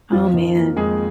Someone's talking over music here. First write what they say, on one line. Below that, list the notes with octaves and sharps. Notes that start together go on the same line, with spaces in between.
Oh, man.
F2 F3 F4
D#3
A#3
F2 G#3 G#4